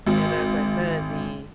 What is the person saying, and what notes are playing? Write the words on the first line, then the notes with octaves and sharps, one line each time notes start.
and, as I said, the
G#1